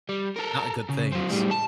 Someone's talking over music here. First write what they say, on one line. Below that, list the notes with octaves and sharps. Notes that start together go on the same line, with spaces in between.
not good things,
G3
A4 A#4
C#3
F#3 C4
A2 G3
A5